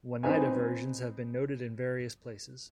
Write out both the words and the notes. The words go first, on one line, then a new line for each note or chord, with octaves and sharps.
Oneida versions have been noted in various places.
C4 D#4 B4 G#5